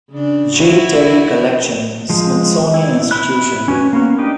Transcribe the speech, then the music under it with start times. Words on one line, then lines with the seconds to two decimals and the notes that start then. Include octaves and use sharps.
J. Terry Collection, Smithsonian Institution.
0.10 C#3 D4
0.55 E4 F#4
2.10 F3 G#3
2.74 E4
3.11 E4 B5 F#6
3.68 C#4 F#4 B4 C#5
3.93 A#3 B3 C#4
4.18 D4 D#4 G4 D#5